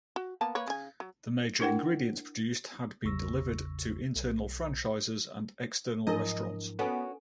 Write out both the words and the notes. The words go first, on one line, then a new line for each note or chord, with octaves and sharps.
The major ingredients produced had been delivered to internal franchises and external restaurants.
F#4
A#3 B3 A5
A#3 B4 C#5
C#3 G#5
F#3
D4 E4 A#4 F#5 G5
A1 E2 C#3 C#6 E6 A#6
B1
G#2 F3 F#3 D4 E4 A#4 D#5
B3 C#4 F#4 A4 G#5